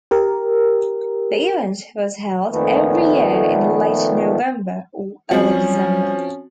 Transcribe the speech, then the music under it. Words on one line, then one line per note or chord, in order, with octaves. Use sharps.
The event was held every year in late November or early December.
G4 A#4
F2 A#2 D#3 A3 B3
F3 G3 C4 C#4 F#4